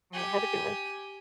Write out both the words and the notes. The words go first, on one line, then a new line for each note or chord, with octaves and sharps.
All right, have a good one.
G4 G#5